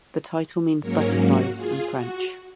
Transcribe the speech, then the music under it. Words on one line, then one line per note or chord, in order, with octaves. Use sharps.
The title means 'butterflies' in French.
G#2 F#3 A#3 C#4 A#4 C#5
F#4
F4 G#4
F#4